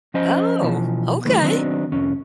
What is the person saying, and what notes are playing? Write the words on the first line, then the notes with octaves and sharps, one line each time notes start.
Oh, okay,
F3 C#4 C5 D#5
B2 E3 F3
D2 E3 G3 A3 B3
D#3 F#3 B3 C4 D4
C2 F2 C#4